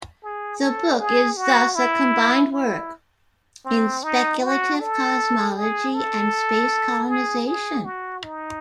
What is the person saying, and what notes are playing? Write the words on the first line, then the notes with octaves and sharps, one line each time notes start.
The book is thus a combined work in speculative cosmology and space colonization.
G#4
A4
G#4
F#4
E4
E4
C4
D#4
F#4
A4
G#4
A4
G#4
G#4
F#4
D#4